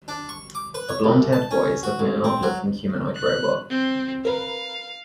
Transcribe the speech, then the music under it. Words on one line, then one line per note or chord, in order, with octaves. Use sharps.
A blondhaired boy is looking at an odd looking humanoid robot.
D4
C#6
D6
B4
C#5
C2
A5
C#4
F#4
A1
C4
F#3
F#6
C4
A#4 B4 F5